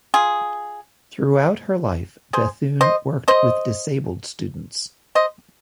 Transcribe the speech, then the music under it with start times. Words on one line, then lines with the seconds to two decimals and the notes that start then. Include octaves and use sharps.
Throughout her life, Bethune worked with disabled students.
0.14 F4 G#4
2.33 G#4 C5
2.81 C5 D#5
3.28 C5 D#5
5.15 C5 D#5